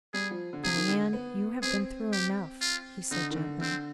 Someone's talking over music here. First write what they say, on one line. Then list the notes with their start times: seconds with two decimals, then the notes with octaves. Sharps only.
"Diane, you have been through enough," he said gently.
0.14 G3 G#4
0.31 F3
0.53 D3
0.63 C3 G#4
0.76 D#3
0.88 D3
1.13 B3
1.62 C4 G#4
2.12 G4
2.61 F4
3.11 D3 D#4
3.31 D#3
3.36 D3
3.61 D3 C4